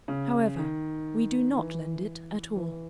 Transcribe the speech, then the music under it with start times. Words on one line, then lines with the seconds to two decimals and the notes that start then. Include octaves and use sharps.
However, we do not lend it at all.
0.08 C#3
0.59 D#3
1.57 E3
2.56 E3